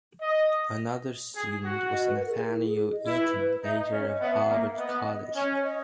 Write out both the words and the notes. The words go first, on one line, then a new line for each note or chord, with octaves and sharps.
Another student was Nathaniel Eaton, later of Harvard College.
D#5
G#4
F#4
D#5
B4
A#4
G#4
A#4
E4
G#4
G#4
D#5
E4 B4
D#4 E5
D#5
C#4 C#5
D#5
B3 E5
A#3
B3 D#5
C#4 C#5
D#5